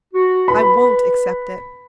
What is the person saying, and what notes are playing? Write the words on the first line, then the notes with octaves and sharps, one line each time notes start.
I won't accept it.
F#4
B4 B5